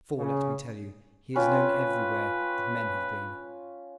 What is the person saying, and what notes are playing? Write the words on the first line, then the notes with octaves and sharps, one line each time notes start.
For, let me tell you, he is known everywhere that men have been.
C#3
C#4 F4 B4 G5